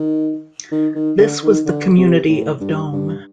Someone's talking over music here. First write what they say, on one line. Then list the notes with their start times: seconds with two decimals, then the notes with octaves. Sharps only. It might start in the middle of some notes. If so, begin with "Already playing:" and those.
This was the community of Dome.
Already playing: D#3
0.72 D#3
0.95 D#3
1.19 D3
1.43 D#3
1.66 D3
1.97 C3
2.29 A2
2.60 G2
2.92 G2